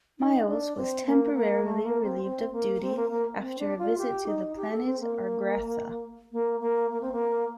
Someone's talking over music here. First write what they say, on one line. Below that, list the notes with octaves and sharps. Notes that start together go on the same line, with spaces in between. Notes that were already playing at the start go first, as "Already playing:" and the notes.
Miles was temporarily relieved of duty after a visit to the planet Argratha.
D#4
D4
C4
A#3
A#3
A3
A#3
C4
C4
A#3
C4
A#3
A#3
C4
D4
F4
G4
D#4
G4
A4
C4
A#3
A#3
A#3
A#3
C4
A#3